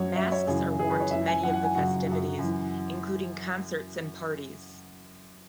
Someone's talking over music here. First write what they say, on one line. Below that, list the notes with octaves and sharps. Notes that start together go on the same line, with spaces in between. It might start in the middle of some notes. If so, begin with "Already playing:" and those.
Masks are worn to many of the festivities, including concerts and parties.
Already playing: F#2 F#3 C#5
F#2 F#3 E5
C#5
F#2 C#3 E3 G#4
F#2 C#3 E3 G#4
B4
C#5
F#2 E3 E5
G#5
F#2 E3 F#5
F#5
G#5
F#2 C#3 F#3 F#5
F#2 C#3 F#3
F#2 E3